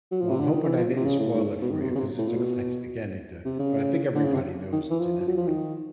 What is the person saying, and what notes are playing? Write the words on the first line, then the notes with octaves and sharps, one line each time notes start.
Well, I'm hoping I didn't spoil it for you 'cause it's a classic ending to but I think everybody knows it anyway.
F#3
F3
C3
D3
D#3
E3
F3
C3
C#3
A2
G#2
B2
D#3
C3
B2
C#3
C3
A2
A#2
B2
C3
C#3
D3
C#3
C3
D#3
E3
F3
F3
F#3
F3
D#3